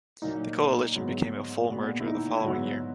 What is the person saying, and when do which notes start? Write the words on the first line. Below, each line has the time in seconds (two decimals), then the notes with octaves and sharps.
The coalition became a full merger the following year.
0.22 A#2 F#3 A#3 D#4
0.96 G#2 F#3 B3
1.69 A#2 G#3 B3 F#4
2.00 E4
2.07 D#4
2.37 E4
2.44 G#2 F#3 B3 F#4